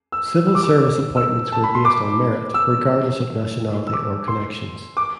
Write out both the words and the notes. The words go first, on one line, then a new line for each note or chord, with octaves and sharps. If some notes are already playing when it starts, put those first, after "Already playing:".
Civil Service appointments were based on merit, regardless of nationality or connections.
E6
E6
D6
E6
E6
A5
B5
C6
D6
E6
E6
D6
C6
D6